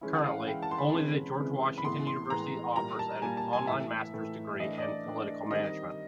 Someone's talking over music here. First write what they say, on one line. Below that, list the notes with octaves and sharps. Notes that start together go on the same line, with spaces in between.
Currently, only The George Washington University offers an online Master's degree in Political Management.
E3 G#3 C#4 E4
F#5
F5
E3 G#3 C#4 E4 G5
A5
C6
B5
C3 E3 G#3 C#4
C3 E3 G#3 C#4
B5
A2 E3 G#3 B3 C6
C6
A2 E3 G#3 B3 A#5
A#2 G3 A#3 A#5
A5
A#2 G3 A#3 G#5
A5
G#5
A2 E3 A3 E5
A2 E3 A3
E3 A3 D4 D#5
D#5
D5
E3 A3 D4
D#3 G3 C4 D#5